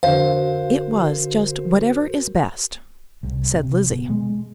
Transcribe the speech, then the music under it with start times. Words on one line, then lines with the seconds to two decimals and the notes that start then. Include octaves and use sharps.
"It was just whatever is best," said Lizzie.
0.03 F2 D3 F#4 A#4 C5 F5
3.23 C2
3.54 C3
3.92 B2
4.10 G#3